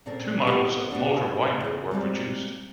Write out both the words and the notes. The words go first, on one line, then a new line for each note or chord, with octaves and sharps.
Two models of motor winder were produced.
A#2 C#3 C4 C#4 A4 A#4
B3 C4 G4
C#4 D4 F#4 C5
C#3 F4
G3 G#3 A#3 C4